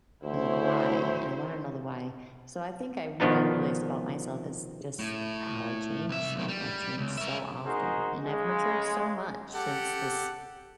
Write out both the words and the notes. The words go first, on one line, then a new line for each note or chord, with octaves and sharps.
I'm like, "Why?" And I wanna know the why. So I think I what I realized about myself is just how I change. I I change so often, and I've matured so much since this
D2 E4 C5 C#5
B2 D#3 F3 B3 D4 D#4
A2
C2 E5
B1 D#3
G3
C#2
A#4 E5
D#4 F#4 G#4 A#4 C5
C#3 G#3
G4 A4 F#5